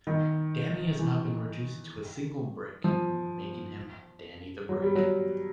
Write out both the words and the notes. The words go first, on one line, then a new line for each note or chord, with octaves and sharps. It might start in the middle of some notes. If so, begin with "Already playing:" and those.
Danny has now been reduced to a single brick, making him Danny the Brick.
D#3
E3
F3
F#3
G3
F#3